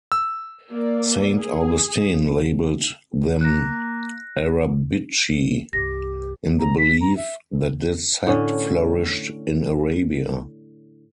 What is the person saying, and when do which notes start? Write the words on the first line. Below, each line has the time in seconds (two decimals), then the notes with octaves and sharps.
Saint Augustine labelled them "Arabici" in the belief that this sect flourished in Arabia.
0.12 E6
0.71 A#3 D5
1.36 G#4
3.41 A#3 F#6 A#6
5.73 C2 G2 G4 A#6
6.60 A#5
6.78 B6
7.01 A#5
7.17 E5
8.26 A2 D3 C#4